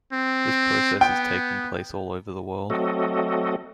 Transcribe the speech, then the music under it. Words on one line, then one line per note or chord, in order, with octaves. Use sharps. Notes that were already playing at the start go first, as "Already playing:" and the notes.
This process is taking place all over the world.
C4
B3 G5
F#3 A3 C4 F#4 A4 D#5